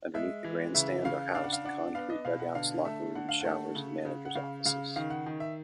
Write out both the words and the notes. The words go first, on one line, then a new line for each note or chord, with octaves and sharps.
Underneath the grandstand are housed the concrete dugouts, locker rooms, showers and manager's offices.
G#3 E5
E3
C#3 E5
C#3 F5
D4 F5
F#5
F5
D4 F#5
B3 F5
D#5
B2 F5
F#5
D3 F5
A3 E5
D3 F#5
F5
A3 F#5
C#3
C#3
F#5
C#3 F5
C#3 F5
D#3 F5
F#5
D#3
E5